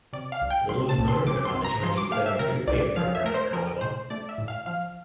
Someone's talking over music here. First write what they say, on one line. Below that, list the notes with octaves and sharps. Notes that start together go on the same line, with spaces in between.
Little is known about the Chinese thermonuclear program, however.
C3 D5
F5
C2
G5
G3 C6
A5
C2
C6
C3 D6
C6
C2
A#5
F3 C6
D6
A3 F5
E5
C3 A#4
C2 D5
F3 F5
E5
A3 A#4
C5
F3 A#4
A2 C5
A3 D5
E5
A2
F5
F3 F5